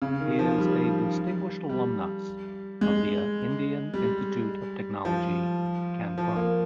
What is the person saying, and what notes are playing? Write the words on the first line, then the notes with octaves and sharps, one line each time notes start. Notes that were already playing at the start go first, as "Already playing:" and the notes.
He is a Distinguished Alumnus of the Indian Institute of Technology, Kanpur.
C#3
D#3
F3
G3
G3
G#3
G3
F3
F3
A#3